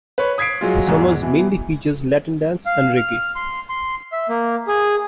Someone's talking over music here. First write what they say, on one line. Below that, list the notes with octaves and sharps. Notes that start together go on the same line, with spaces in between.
Summers mainly features Latin dance and reggae.
B4 C#5
D#6 G#6 B6 C7 D7
F#3 G#3 F4
E2 G#2
B2 E3
F5
F6
C6
C6
E5
A#3
G#4